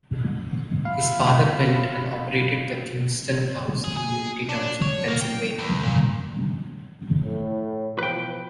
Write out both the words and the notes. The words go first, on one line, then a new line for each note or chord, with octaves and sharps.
His father built and operated the Kingston House in Unity Township, Pennsylvania.
F4 E5 F5 B5
G#4
G#4
D4
C#5
A#3
G5
E2
A#2
A2
B2 E3 F3 B4 G5